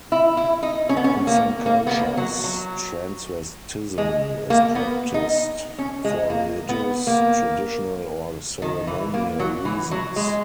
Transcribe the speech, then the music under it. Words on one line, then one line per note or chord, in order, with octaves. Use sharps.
In some cultures, transvestism is practiced for religious, traditional or ceremonial reasons.
E4
E4
D#4
C#4
B3
C#4
A#3
A#3
B3
A#3
F#3
F#3
G#3
A#3
B3
D#4
C#4
G#3
A#3
B3
A#3
D#3
E3
A#3
F#3
E3
F#3
G#3